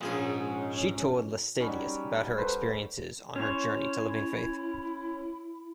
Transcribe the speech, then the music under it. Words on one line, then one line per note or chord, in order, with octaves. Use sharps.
She told Laestadius about her experiences on her journey to living faith.
A#1 G#2 C#4 G#4 F5
F#3 G3 C#4 D#4
A4 B4 C5
C#4 E4 C5 C#5